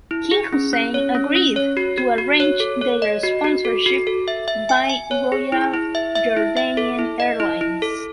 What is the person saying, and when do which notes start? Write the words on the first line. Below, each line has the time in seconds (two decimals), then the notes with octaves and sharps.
King Hussein agreed to arrange their sponsorship by Royal Jordanian Airlines.
0.11 E4
0.31 G#4
0.53 C#4
0.73 C#4
0.94 C#5
1.15 C#4
1.35 C#4
1.56 C#5
1.77 F#4
1.98 F#4
2.18 F#4
2.40 C#5
2.60 A4
2.81 C#5
3.02 D#5
3.23 F#4
3.44 F#4
3.65 A4
3.86 F#4
4.07 A4
4.28 E5
4.48 E5
4.69 G#5
4.89 G#5
5.11 C#5
5.32 G#4
5.52 E4
5.73 E4
5.95 E5
6.15 E5
6.37 E4
6.57 E5
6.77 A4
6.99 E4
7.20 D#5
7.40 E4
7.61 E4
7.82 A4